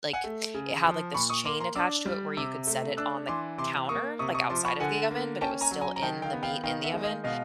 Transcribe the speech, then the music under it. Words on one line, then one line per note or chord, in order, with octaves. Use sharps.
like, it had, like, this chain attached to it where you could set it on the counter, like, outside of the oven, but it was still in the meat in the oven,
F#5 G#5
A3
C#3
F3
A#2 B5 C#6
C#6 D#6
A#3 C6 D6
A#5 C6
D4 D6 E6
G3
C3 D6 E6
A3
D4 E6 F#6
E3 C6 D6
C3 C6 D6
A#3 C#6 D#6
C3 C#6 D#6
C#6 D#6
F3 C6 D6
B5 C#6
D3 F#5 G#5
A#3
C#4 G5 A5
G#5 A#5
F#3
G#5 A#5
A#5
D#3 G5 A5
F5 G5
B3
F5 G5
D#3 F5 G5
E5 F#5
G#3
D#5 F5
B2 D#5 F5